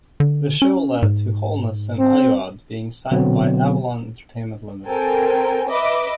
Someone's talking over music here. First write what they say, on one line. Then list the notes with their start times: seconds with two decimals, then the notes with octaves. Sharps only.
The show led to Holness and Ayoade being signed by Avalon Entertainment Limited.
0.20 D3
0.62 C#4
1.02 G#2
1.99 C4
3.11 B2 D3 F#3 B3 C4
4.87 C4 A4 A#4 G5 G#5
5.69 B4 D#5 E5 B5 D6